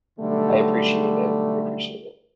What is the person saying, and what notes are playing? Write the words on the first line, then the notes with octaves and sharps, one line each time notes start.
I appreciate it. I appreciate it.
B1 D3 G3 A3